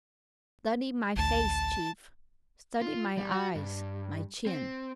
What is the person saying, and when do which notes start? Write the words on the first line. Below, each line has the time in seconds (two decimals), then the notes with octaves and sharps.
Study my face, Chief--study my eyes, my chin.
1.16 A1 D2 A5
2.81 F4
3.17 G3
3.32 F#4
3.55 G2
4.47 C4